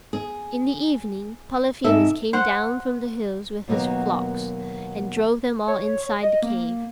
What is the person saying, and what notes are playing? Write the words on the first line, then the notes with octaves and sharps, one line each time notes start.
In the evening Polyphemus came down from the hills with his flocks and drove them all inside the cave.
G#4
G#2 C3 A4 E5
C5 F#5
D#2 B2 F#3 A#3 B3
C#5
D#5
A#3